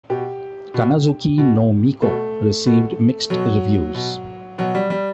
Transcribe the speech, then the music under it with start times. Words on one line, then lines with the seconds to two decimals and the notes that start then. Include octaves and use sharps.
"Kannazuki no Miko" received mixed reviews.
0.10 B2 G4
0.74 B2
1.38 B2
2.02 B2 A3
2.66 B2
3.30 B2 F#3
3.94 B2
4.58 B2 F#3
4.75 G3
4.90 G3